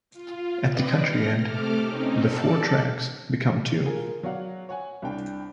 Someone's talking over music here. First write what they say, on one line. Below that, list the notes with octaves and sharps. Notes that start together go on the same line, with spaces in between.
At the country end, the four tracks become two.
F4
C4 B4 D5 D#5 G5
F6 A#6
C3 A3 A4 D6 F6
C4 C#4 D#4
A4 D5 A5
F4 G#4 A#4
F#3 C#5 D5 F5 F#5
C#5 F#5 G#5
C2 D4 G5